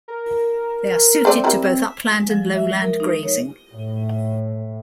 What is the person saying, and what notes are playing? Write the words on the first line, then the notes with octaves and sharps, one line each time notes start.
They are suited to both upland and lowland grazing.
A#4
A3 C4 C5 D5
G3 E4 A#4
G#3
F3
E5
A#4
D#4
C#5
A2